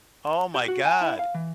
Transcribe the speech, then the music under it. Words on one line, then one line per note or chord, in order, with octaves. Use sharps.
oh my god.
G4
F#4
G#5
E4
F5
E3